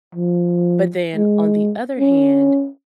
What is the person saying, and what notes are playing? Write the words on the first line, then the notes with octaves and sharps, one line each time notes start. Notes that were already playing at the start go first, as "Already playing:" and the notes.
but then on the other hand,
F3
G#3
C#4